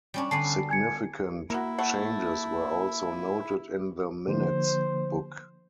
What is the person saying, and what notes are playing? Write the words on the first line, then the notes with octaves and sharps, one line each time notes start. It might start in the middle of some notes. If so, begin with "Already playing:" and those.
Significant changes were also noted in the minutes book.
G3 C#4 D4
D3 B3 D5 A5 C7
G#5 G#6 C#7
A#3 E4 F#4 A#4
A3 F#5
D3 F3 A#3 C5